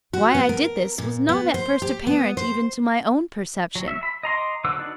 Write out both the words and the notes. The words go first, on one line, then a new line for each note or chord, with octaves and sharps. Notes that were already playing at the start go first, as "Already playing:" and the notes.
Why I did this was not at first apparent even to my own perception.
F#4
B3
A#4
A#2
B3
C5
G4
B3
C5
F#3
E5
B5
D#5 A#5 C6 D6
D3 F#3 B4 D6 E6
D4 D#4 F#4 B4 D5